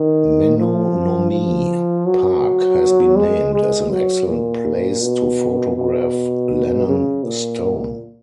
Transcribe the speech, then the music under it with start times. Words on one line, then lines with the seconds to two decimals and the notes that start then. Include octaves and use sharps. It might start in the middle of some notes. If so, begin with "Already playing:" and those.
Menonomee Park has been named as an excellent place to photograph Lannon stone.
Already playing: D#3
0.58 F3
1.32 F3
2.06 F#3
3.17 G#3
3.54 G#3
3.91 F#3
4.28 A#2
5.02 B2
5.76 B2
6.87 C#3
7.24 A#2